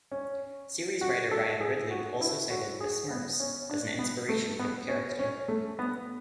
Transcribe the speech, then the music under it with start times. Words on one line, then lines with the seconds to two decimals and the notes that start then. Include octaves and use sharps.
Series writer Ryan Ridley also cited "The Smurfs" as an inspiration for the character.
0.12 C#4
1.01 F#4
1.31 A4
1.60 G#4
1.91 F#4
2.21 E4
2.50 F#4
2.80 G#4
3.11 B3
3.40 C#4
3.70 D4
3.99 B3
4.29 A3
4.59 B3
4.89 C#4
5.19 C#4
5.48 A3
5.79 B3